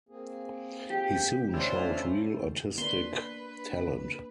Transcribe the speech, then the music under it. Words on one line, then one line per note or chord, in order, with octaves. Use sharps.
He soon showed real artistic talent.
A#3 C4 G#4
G4
A3 C#4 D4 E4 F4 C5
A#3 D4 B4 C6